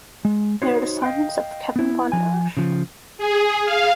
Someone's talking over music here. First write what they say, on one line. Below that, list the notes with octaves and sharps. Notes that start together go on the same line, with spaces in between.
They are the sons of Kevin Von Erich.
G#3
D#4 F#4 C5 C#5
D#5 F5 G5
B3 E4
F3 G#5
C#3 F3
G#4
F5